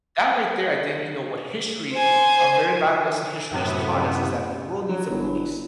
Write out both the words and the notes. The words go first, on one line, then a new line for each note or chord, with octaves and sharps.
that, right there, I think, you know, what history a very valuable lesson history has taught us is that the world needs a police.
C5 G#5
F#2 A2 C3 B3
F#3 C#5
G1 E4